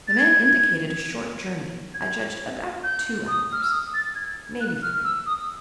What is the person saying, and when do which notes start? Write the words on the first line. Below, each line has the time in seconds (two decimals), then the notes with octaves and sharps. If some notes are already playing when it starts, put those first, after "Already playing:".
The man indicated a short journey; I judged about two hours, maybe three.
0.08 A6
0.18 G#6
1.94 G#6
2.84 G6
3.28 D#6
3.52 F6
3.62 E6
3.72 D#6
3.94 A6
4.15 G#6
4.61 F#6
4.82 F6
5.04 E6
5.26 D#6